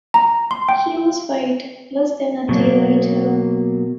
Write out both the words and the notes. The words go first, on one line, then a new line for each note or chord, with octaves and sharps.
He was waived less than a day later.
A#5
C6
G5
B2 F#3 A#3